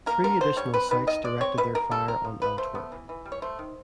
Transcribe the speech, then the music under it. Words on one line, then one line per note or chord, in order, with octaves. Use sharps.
Three additional sites directed their fire on Antwerp.
A#3 A#4
D3 A#4
D3 C5
G3 C#5
C4 B4
D#3 B4
D#3 D#5
G#3 D5
C4 C#5
B2 B4
B2 A#4
G3 A4
C4 A#4
F3
F3 B4
A3 C5
B3
E3
E3
G3
C#5
A3 C5
D#3